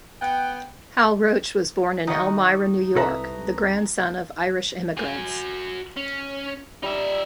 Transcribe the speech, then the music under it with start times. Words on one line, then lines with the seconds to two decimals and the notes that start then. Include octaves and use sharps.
Hal Roach was born in Elmira, New York, the grandson of Irish immigrants.
0.21 B3 F#5 G5
2.07 D#3 D#4 F#4 D#5 C#6
2.96 C2 A4 B4 E5 A5 A#5
4.97 F#4 G#5
5.97 C#4
6.83 G3 D#4 E5